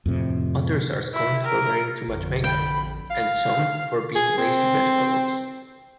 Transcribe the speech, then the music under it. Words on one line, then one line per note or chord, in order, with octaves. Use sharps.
Others are scorned for wearing too much makeup, and some for being "lazy bedfellows".
F2 A2 C3
E4
A#4
A1 F2 D3
G5 B5
F5
G#4
C4